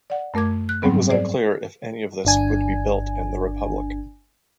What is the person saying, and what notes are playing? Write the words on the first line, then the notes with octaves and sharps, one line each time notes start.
It was unclear if any of this would be built in the Republic.
D5 F#5
F#2 A3 A#4 D6 G#6
F#6
G#2 F#3 G3 B3 C4
G#4 C5 D5
G1 D4 G#5